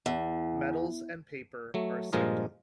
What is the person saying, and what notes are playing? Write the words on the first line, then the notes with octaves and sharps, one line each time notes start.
Metals and paper are sectile.
E2
F#3 A3
G2 A#2 F3 G#3 A#4 D#5